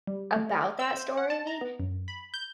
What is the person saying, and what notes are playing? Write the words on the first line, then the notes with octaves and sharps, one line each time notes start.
about that story
G3
A3
E6
C5
F#5
A5
A#5
B3
F#2
B5
G6